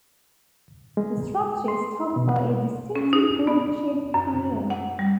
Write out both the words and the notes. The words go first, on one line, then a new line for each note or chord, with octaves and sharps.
The structure is topped by a distinctive globe-shaped finial.
G#3
C6
B2
C#4
D#4
B3
F#2
F#5
G3